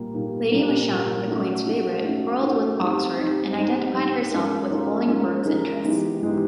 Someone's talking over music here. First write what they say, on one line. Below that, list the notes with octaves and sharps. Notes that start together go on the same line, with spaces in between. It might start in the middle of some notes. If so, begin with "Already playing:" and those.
Lady Masham, the queen's favourite, quarrelled with Oxford and identified herself with Bolingbroke's interests.
Already playing: A#2 G3 A#3
A#2 G3 A#3
A#2 G3 A#3
A#2 G3 A#3
A3 C#4 F#4
A3 C#4 F#4
A3 C#4 F#4
A3 C#4 F#4
G3 C4 D#4 G4
G3 C4 D#4 G4
G3 C4 D#4 G4
G3 C4 D#4 G4
G#3 C#4 F4 A#4
G#3 C#4 F4 A#4
G#3 C#4 F4 A#4
G#3 C#4 F4 A#4
E3 G#3 B3 D#4 G4
E3 G#3 B3 D#4 G4